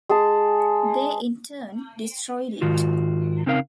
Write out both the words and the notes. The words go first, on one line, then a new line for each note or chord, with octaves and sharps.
They in turn destroyed it.
G#3 G#4 A5
G#2 D#3 F4 F#4
C#3 C4 D#4 A#4 F5